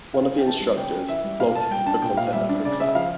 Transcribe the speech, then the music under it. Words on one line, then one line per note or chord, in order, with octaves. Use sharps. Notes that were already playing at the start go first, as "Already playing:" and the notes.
One of the instructors blogged the content of her class.
C#3 F5
C#4
G5
E3 A5
G3
C#3 G5
C#4
E3 E5
G3
A#2 F5
A#2 A5
G3 G5
D4 A5
A#2 G5
A#2 F5
G3 E5
D4
C#3 D5
C#3 E5
F3 F5